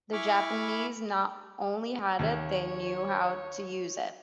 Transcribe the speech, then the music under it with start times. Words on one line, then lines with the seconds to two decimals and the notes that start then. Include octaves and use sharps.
The Japanese not only had it, they knew how to use it.
0.13 E4 G#5 B5 C#6 D6 F6
2.19 D#2 C#5